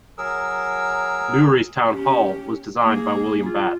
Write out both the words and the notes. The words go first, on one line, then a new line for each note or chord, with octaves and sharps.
Newry's town hall was designed by William Batt.
F#3 G#4 A#4 E6
C#4 G4
A#3 G#4
F4